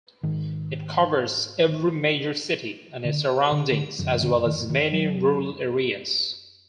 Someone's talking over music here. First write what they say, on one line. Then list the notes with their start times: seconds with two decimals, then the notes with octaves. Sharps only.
It covers every major city and its surroundings, as well as many rural areas.
0.23 G#2 D#3
3.05 D3
3.52 D3
3.72 D3
3.99 F#2 D#3
4.02 D3
4.22 D3
4.46 D#3
4.70 D#3
4.93 F#3